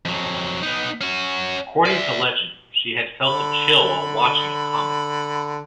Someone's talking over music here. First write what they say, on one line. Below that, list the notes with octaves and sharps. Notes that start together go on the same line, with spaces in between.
According to legend, she had felt a chill while watching a comet.
F2 F#3
B3 D#4
C#4 F#4
D5 E5
D3 B5